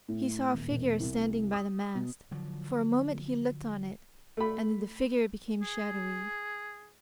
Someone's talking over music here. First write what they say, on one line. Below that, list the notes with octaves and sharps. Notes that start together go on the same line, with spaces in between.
He saw a figure standing by the mast; for a moment he looked on it, and then the figure became shadowy.
A2
D#1
E1
C2
D#6
B2
D3 F3 F#3
A3 B5
G#4